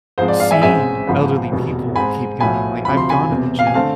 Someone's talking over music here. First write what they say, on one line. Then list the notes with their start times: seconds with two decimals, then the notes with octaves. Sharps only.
seeing elderly people keep going. Like, I've gone to the gym
0.18 G#2 F3 G#3 C4 C5
0.28 D5
0.40 D5 F5
0.51 E5 G#5
0.62 A1 G#2 G#3 C4 E5 G#5
1.07 G#1 G#2 F3 B3
1.52 F1 E2 B2
1.96 G#2 G#3 C4 G#5 B5
2.40 B1 A2 F3 B3 G#5 B5
2.85 D2 C3 F3 B5
2.97 C6
3.09 G#5 B5
3.30 E1 E2 C3
3.59 F5
3.67 G#5
3.74 D3 A3 C4 F5 A5